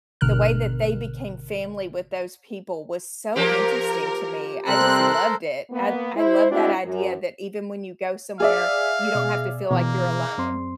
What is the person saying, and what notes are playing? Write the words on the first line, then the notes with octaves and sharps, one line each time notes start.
the way that they became family with those people was so interesting to me, I just loved it, I I love that idea that even when you go somewhere, you don't have to feel like you're alone.
G#1 B2 D3 A#4 F6 F#6
F3 A#3 G4 A#4
C3 G3 C4 A4 A#4 C5 F#6
A#3 B3
E4 C5
G#3 C4 D4 E4 F#4
F#2
G#4 D5 E5 F5
B2
B2 E3 A#3
F#2 C4 C6